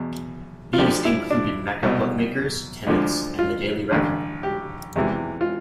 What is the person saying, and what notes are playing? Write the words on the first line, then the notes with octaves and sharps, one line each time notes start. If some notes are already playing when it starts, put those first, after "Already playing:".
These included Mecca Bookmakers, Tennent's and the Daily Record.
Already playing: E2 B2
F4
D2 D3 F3 G4
E4
D4
C2 B2
D2 D3 F3
F4
A1 G2 D3
G4
E2 C3 E3
F4